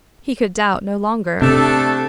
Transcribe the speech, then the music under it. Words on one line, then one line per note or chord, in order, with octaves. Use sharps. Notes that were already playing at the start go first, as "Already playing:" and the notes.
He could doubt no longer.
C3 A3 D4 A4